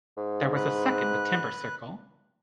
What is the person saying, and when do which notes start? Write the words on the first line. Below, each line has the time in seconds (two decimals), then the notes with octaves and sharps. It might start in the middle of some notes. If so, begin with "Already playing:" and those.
There was a second timber circle.
0.17 G#2
0.56 B4 F#6